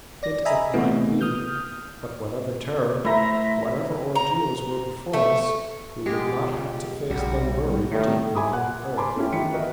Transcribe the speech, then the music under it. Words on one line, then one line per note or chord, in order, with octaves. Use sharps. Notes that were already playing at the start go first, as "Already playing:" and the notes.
Pit it might be, but whatever terror, whatever ordeals were before us, we would not have to face them buried deep within earth.
D5 A#6
D#5 E5 G#5 A#5 B5
C3 E3 A3 B3
D#6 F6 G6
A3 E4 C5 E5 A#5
A#5
A3
B2 G#3 F4 G4
B1 G3 F#4
A2 D#3
E5 G#5 B5 C6 D6 D#6
F#5 F#6
G#5 A5 B5 C6 D6
A3 C#4 E4 F4 G4
D#3 E3 B3 E4 B6 C#7
F#4 A#4 B4 D#5 E5